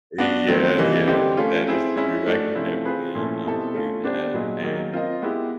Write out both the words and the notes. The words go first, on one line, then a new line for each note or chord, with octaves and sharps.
Y yeah, yeah, that is true, I can definitely, um, do that, a and,
B3 D4 F#4
D#3 F#3 A3 C4
C3 E3 G3 A#3 D#4
D3 G3 C4 D#4 G4
A3 C#4 F4
C4 E4 G#4
G#3 C#4 E4
A3 D4 F#4
C3 F3 A3 C#4 E4
C4 F4 G#4 B4
A#2 F3 A3 C#4 E4
B2 G3 C4 E4 A4
A3 C#4 F4
G3 B3 D4 G4 C5
A#2 F#3 B3 D#4 G#4
D#3 F#3 A#3 D#4 G#4
C4 F4 A#4 D#5
G#3 B3 E4 G4